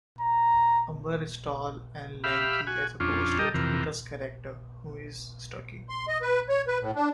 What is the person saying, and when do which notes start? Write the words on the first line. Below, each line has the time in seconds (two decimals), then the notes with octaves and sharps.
Umber is tall and lanky as opposed to Jupiter's character, who is stocky.
0.21 A#5
2.24 G4 E5 F5 B5
2.67 F#4 G#5
3.00 F2 C#4 D4 F4
3.39 G3 G4 A4 A#4 D#5
3.54 F2 C3 E3 A#4
5.89 C6
6.08 D#5
6.22 B4
6.49 C#5
6.67 B4
6.80 A2
6.95 D4